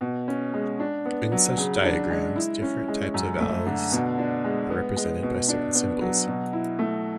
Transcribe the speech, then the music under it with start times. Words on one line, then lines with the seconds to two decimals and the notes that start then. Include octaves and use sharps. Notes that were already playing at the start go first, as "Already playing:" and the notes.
In such diagrams, different types of valves are represented by certain symbols.
0.01 B2
0.28 C#4
0.54 G#3
0.80 D4
1.05 B3
1.32 F#3
1.58 C#3
1.84 D4
2.10 G#3
2.36 E4
2.62 C#4
2.88 G#3
3.14 F#2
3.40 A3
3.67 D3
3.92 B2
4.18 D4
4.44 G#3
4.70 B3
4.96 G#3
5.23 B2
5.48 D4
5.75 B3
6.01 F#3
6.27 B2
6.53 E4
6.79 A3